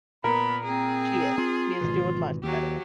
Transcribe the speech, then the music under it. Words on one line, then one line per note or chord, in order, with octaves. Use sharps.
She is, she is doing much better.
A#2 B3 A#4 B5
C4 G#4
C4 F4
G#1 B2 E3
D#2 F#3 G4